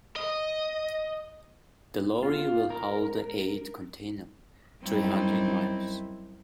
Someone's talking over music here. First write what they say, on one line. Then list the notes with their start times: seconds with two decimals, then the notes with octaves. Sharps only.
The lorry will haul the aid container three hundred miles.
0.16 D#5
2.23 F4
2.70 A#4
4.83 F#2 G3 C4 D#4 E4